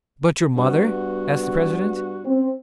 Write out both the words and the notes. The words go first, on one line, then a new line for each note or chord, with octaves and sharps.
"But your mother?" asked the president.
G2 B3 F#4
C4